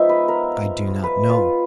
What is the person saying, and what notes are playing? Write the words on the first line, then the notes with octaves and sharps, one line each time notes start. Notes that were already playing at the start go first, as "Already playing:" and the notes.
"I do not know."
Already playing: F3 G#3 B3 D#4 E5
B4
A#4
B4
F4